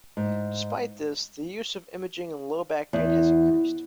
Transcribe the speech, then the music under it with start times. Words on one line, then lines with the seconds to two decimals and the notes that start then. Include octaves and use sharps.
Despite this, the use of imaging in low back pain has increased.
0.17 G#2
2.93 E2